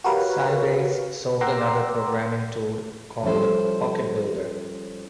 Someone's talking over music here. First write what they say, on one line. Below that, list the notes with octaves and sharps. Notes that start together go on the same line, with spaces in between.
Sybase sold another programming tool called PocketBuilder.
F#4 G4 A#4 B4 C#5 F5
F#5 G5 A#5 C6 D6 E6
F3 G3 C#4 E4 A4 C5